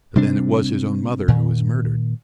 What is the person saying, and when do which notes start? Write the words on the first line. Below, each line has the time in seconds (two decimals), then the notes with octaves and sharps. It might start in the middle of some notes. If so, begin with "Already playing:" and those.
"But then it was his own mother who was murdered."
0.16 C3 G3 C4 D4
1.28 A#2 D#3